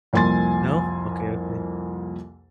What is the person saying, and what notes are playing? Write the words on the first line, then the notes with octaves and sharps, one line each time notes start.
No? Okay, okay.
C2 F2 A#3 G#5 C6 A6